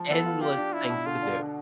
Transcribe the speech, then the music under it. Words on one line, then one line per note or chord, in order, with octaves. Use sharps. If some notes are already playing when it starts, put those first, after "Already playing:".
Endless things to do.
Already playing: F3
B3 A4
F4
F4 G4
D4
E4 F4
B2
D3 F4
D4
D3